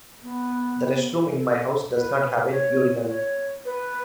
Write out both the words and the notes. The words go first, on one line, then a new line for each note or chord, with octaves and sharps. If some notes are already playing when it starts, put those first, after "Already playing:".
The restroom in my house does not have a urinal.
B3
A4
B4
C#5
C#5
B4